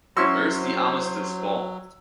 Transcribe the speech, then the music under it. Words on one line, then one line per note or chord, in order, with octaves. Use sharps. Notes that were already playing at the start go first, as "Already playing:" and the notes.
Where's the Armistice Ball?
F#3 C#4 E4 F#4 C5 C6 C#6 E6